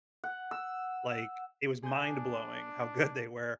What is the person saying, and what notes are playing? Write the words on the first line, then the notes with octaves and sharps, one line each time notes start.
like, it was mind-blowing how good they were,
F#5
E6
D4 G#4 G6